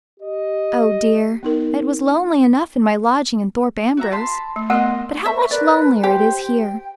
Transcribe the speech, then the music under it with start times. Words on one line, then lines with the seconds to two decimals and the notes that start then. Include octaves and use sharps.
Oh, dear, it was lonely enough in my lodging in Thorpe Ambrose, but how much lonelier it is here!
0.20 G4 D#5
1.43 B3 D#4 A#4
3.97 F#4 E5 A#5
4.12 A5 B5 C6
4.56 A3
4.70 A3 B3 A#4 D#5 F#5 C6 F#6
5.25 C5 E5 C#6
5.51 A#4 B4 D5
6.03 G4 C5
6.40 G5